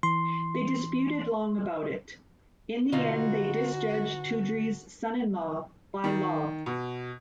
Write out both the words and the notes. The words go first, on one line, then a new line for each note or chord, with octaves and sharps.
They disputed long about it; in the end they disjudge Tudri's "son-in-law" by law.
E3 C6
B2 D3 D#4 F4 F#4
D#3
B2